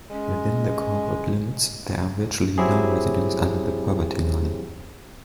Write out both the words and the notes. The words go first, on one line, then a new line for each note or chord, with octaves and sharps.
Within the corporate limits, there are virtually no residents under the poverty line.
G#3 C#4
F#3 C4 E4 G4 G#4